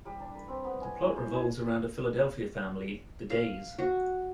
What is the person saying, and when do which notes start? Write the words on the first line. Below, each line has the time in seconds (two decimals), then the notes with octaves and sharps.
The plot revolves around a Philadelphia family, the Days.
0.05 G3
0.20 D4
0.35 B4
0.48 C4
0.64 B3
0.81 G#5
1.01 E4
1.16 C5
1.33 G#5
3.30 F5
3.78 F#4